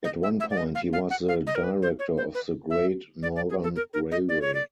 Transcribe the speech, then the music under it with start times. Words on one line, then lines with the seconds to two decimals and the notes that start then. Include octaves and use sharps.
At one point he was the director of the Great Northern Railway.
0.04 D#5
0.23 E5
0.40 E5
0.50 D5
0.57 D#5
0.75 F5
0.93 F5
1.10 F#5
1.28 F5
1.47 D#5
1.55 A#4
1.64 B4
1.82 C5
1.99 C#5
2.17 C5
2.34 B4
2.70 E5
3.23 D5
3.36 D5
3.50 G#4
3.63 A4
3.76 A#4
3.93 A#4
4.12 D#5
4.29 D5
4.41 C#5
4.54 D5